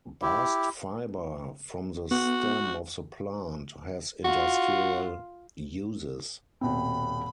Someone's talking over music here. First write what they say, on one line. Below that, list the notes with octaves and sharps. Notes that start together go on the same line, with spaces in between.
Bast fibre from the stem of the plant has industrial uses.
E4 G4
B3 F#4
F4 F#4
D#1 B2 C4 B5